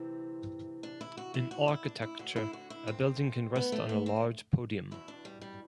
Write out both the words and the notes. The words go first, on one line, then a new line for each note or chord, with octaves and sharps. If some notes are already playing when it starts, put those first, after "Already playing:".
In architecture a building can rest on a large podium.
Already playing: D2 C3 E3 C4
D4
E4
F#4
E4
F#4
E4
D4
E4
D2 D3 F#4
E4
F#4
E4
C4
B3
A3
B3
C4
E2 B2 E4
D4
G3
G3